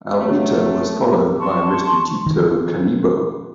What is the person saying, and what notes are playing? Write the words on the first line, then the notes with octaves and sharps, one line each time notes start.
Albito was followed by Restituto Calibo.
F#3 A3
A5 C6 C#6
D#3